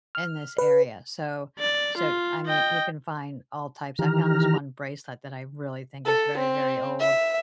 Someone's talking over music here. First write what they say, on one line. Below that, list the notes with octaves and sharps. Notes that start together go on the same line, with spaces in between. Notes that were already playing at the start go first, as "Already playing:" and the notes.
in this area. So so I mean, you can find all types. I found this one bracelet that I really think is very, very old
F6
B4
D5
F4
D#5 G5
D#3 E3 G4 A#5 F6
A4
C4
E5